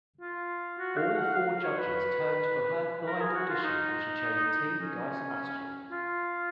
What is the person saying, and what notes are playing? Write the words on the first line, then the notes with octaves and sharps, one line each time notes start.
All four judges turned for her blind audition and she chose Team Guy Sebastian.
F4
F#4
F5
F#5
F5
C#5
B4
A#4
G#4
F#4
F4
D#4
C#4
F4